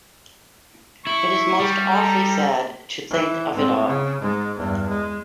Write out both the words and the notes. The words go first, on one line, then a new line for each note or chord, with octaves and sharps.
It is most awfully sad to think of it all.
E4 C#6
G3
A4 A#5
E3
G#2 C4
C#3
G#2 G#3
E2 G2
G#3